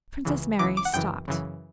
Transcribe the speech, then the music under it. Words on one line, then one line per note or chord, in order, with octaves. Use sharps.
Princess Mary stopped.
C#2 C#3 E3
C#2 C#3 E3 D6
D6
F#5
F#2 C#3 E3 G5
F#2 C#3 E3